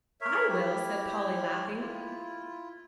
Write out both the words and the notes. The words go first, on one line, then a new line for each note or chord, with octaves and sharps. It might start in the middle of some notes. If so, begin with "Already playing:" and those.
"I will," said Polly, laughing.
A#4 C#5 E5
E4 G4
E4 F4